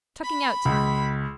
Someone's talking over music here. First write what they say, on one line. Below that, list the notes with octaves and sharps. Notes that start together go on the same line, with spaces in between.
Chuckingout time.
B5
C#2